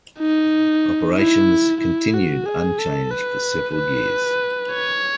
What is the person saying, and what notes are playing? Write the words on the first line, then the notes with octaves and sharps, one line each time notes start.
Operations continued unchanged for several years.
D#4
E4
E4
F#4
G#4
A4
B4
B4
C#5